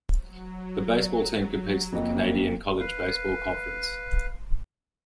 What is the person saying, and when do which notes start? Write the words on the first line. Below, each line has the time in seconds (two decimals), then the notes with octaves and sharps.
The baseball team competes in the Canadian College Baseball Conference.
0.19 F#3
1.92 F2 F3 A#3 D#5
2.80 B4 F5